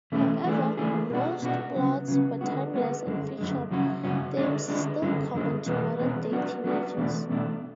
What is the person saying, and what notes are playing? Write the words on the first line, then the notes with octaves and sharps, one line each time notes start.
However, most plots were timeless and featured themes still common to modern-day teenagers.
E2 B2 A3 C#4 E4
E3 A3 D4 G#4
E3 A3 D4 G#4
B2 G#3 D4 F#4
B2 G#3 D4 F#4
C#3 F#3 B3
C#3 F#3 B3
D3 G#3 B3 F#4
D3 G#3 B3 F#4
F#2 D3 G#3
F#2 D3 G#3
F#2 C#3 F#3 C#4 F#4
F#2 C#3 F#3 C#4 F#4
D3 G#3 D4
D3 G#3 D4
F#2 D3 G#3
F#2 D3 G#3
E2 B2 G#3 B3
E2 B2 G#3 B3
F#3 B3 D4 F#4
F#3 B3 D4 F#4
E2 B2 A3 D4
E2 B2 A3 D4